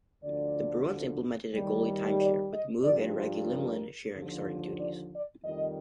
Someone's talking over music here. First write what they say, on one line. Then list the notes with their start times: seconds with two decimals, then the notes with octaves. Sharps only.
The Bruins implemented a goalie timeshare, with Moog and Reggie Lemelin sharing starting duties.
0.22 D2 D3 F3 D5
1.54 D#2 D#3 G3
2.19 D5
2.51 D#5
2.83 G2 F3 D5
3.16 C5
3.49 A#4
4.14 D#2 D3 F3
4.79 D5
5.13 D5
5.44 F2 D#3 G3 D#5